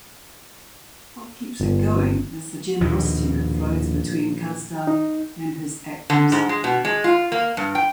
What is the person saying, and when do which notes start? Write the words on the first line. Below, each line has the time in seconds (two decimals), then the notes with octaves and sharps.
What keeps it going is the generosity that flows between Kasdan and his actors.
1.60 G1
2.81 A#1 D#2 G#2 B2
4.87 D#4
6.10 D3
6.32 G#2
6.49 G#3
6.64 B2
6.85 G#3
7.04 F4
7.32 A#3
7.57 G2
7.75 G5